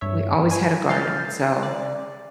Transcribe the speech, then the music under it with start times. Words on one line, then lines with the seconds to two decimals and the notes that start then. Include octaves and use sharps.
We always had a garden, so,
0.01 G2 C#5 E5
0.51 G#5
0.89 F6 G6 A6 C7
1.63 D5